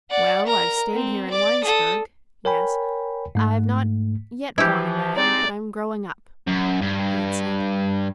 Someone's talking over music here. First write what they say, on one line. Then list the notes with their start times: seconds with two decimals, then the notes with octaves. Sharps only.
"Well, I've stayed here in Winesburg--yes--I've not yet gone away but I'm growing up," he had said.
0.10 D5 F#5
0.46 A#4 A#5
0.93 C4
1.30 D5 D6
1.64 A4 D#6
2.45 A#4 C#5 G5 G#5 B5
3.35 G#2 A3
4.58 E3 F3 E4 G4
5.17 G#3 C4 D#4 D5
6.47 F#2
6.81 G2